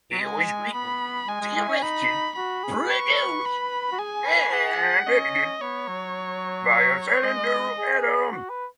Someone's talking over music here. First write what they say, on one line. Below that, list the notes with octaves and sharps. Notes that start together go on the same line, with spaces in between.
It was written, directed, produced and edited by Ozan Duru Adam.
F#3
G#3 G#5
B3 B5
G#3 G#5
G#3
G#3
C#4
D#4 B5
F#4 B5
G#4
B4 C#6
B5
F#4
G#4 G#5
B4
G#4 F#5
C#4 D#5
B3 C#5
F#3
C#5
G#3 D#5
G#4
F#4
B4